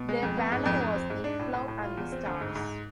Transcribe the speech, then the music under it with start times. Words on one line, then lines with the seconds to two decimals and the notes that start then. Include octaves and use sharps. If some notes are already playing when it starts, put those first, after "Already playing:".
Their banner was the "Plough and the Stars".
Already playing: B2
0.09 G#3
0.23 F2
0.37 B3
0.52 G#2
0.66 F2
0.80 F2
0.95 C4
1.10 G#2
1.24 D4
1.39 A2
1.53 A2
1.68 A2
1.83 F4
1.97 E2
2.12 C4
2.26 D2
2.41 G#2
2.55 G#2